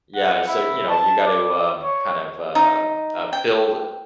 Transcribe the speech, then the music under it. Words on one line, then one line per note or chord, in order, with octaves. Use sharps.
yeah, eh, so, you know, you got to kind of um, uh, build
F#5
E4
A5
D5
C#5
D#4
G5